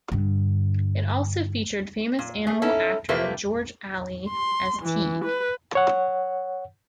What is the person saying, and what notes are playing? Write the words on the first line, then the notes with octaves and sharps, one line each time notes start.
It also featured famous animal actor George Ali as Tige.
G2 D3
A#2
A3 G#4
C#4 D#4 E4 A4
C3 F3 A3 A#3 G4 B4
C6
E3
B4
C#5 F#5